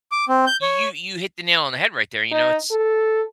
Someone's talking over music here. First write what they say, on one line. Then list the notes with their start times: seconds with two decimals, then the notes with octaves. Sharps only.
you you you hit the nail on the head right there, you know, it's
0.12 D6
0.29 C4
0.47 G6
0.62 C#5
2.31 D#4
2.71 A4